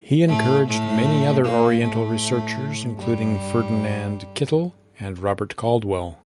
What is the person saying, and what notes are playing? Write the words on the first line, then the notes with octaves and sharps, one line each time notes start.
He encouraged many other oriental researchers including Ferdinand Kittel and Robert Caldwell.
A2 A3
A2 A3
A#2 A#3
A2 A3
G2 G3